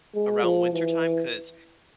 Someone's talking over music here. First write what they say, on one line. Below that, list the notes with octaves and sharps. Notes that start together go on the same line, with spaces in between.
around wintertime, 'cause
G#3
F3
E3